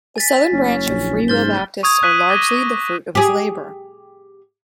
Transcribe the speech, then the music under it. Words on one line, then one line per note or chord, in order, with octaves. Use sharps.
The southern branch of Free Will Baptists are largely the fruit of his labor.
G#5 A6 B6
F#1 C#4
A#1
G#2 C5 F6 A6 G7
C#6 D#6 G#6
F#6 B6 D#7 F#7
D6 G#6 A#6 D#7 G7
G4 G#4